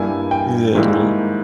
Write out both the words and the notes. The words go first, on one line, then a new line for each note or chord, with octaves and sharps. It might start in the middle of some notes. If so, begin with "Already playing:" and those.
Yeah man,
Already playing: G2 G3 A#3 E4 G#5
G5
G#2 D#3 G3 A#3 E4